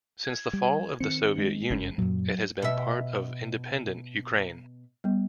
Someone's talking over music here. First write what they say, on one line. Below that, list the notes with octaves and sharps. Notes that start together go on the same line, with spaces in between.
Since the fall of the Soviet Union, it has been part of independent Ukraine.
G#6
G3
D#3 C4 C#7
G#3
F#1 G2 C#4
F#2 A#2 F#3
B2 E5
G3 B3